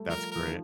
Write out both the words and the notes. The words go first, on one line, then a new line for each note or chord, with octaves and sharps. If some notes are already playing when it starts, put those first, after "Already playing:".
That's great.
Already playing: G3 A3
F3 A#4
F3 A#4
D#3